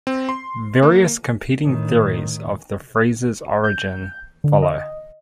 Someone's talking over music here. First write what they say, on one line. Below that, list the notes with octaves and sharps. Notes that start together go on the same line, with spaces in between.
Various competing theories of the phrase's origin follow.
C4
C6
A#3
A2 D#3
G6
D3
D#5